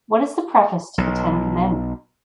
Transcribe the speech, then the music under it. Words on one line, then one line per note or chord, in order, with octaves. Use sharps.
What is the preface to the ten commandments?
B1